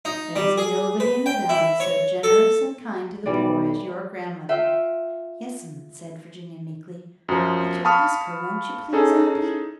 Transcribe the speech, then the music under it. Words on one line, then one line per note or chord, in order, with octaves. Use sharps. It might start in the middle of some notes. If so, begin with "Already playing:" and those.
"There is nobody in the valley so generous and kind to the poor as your grandmother." "Yes'm," said Virginia, meekly, "but you'll ask her, won't you please, auntie?"
D#4
G3
G#4
B4
G5
E4
C#5
A4
B1 E3 G3 D5
F4 E5 G5
F#2 F3
F5 A5 B5 C#6 D#6 F6
C#4 D#4 G#4 A4